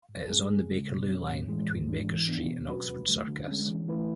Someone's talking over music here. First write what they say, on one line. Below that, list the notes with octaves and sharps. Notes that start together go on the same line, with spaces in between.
It is on the Bakerloo line, between Baker Street and Oxford Circus.
G#2
G#3 C#4 G#4
C#2
C#3 G#3
B2
F#3 C#4
A2
E3 G#3
G#2
E3 G#3 D4
E3
B3 D4
B2
F#3 C#4 F#4 B4
D2
D3 F#3 A3
D3
G#3 C#4
E3
A3 E4 B4